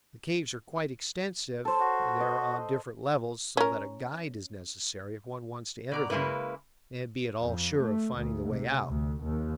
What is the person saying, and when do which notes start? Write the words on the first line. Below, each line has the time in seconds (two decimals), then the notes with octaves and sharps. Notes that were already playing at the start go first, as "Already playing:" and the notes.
The caves are quite extensive and they are on different levels, so that a guide is necessary if one wants to enter them and be at all sure of finding the way out.
1.65 A4 C5
1.80 F#4
2.20 D#5
3.57 C#4 A#4
5.92 B2 D5 A#5
6.10 C#3 G#3 A#3 E4 B4
7.42 F2
7.80 A3
8.16 D2
8.48 C3
8.89 D2
9.24 D#2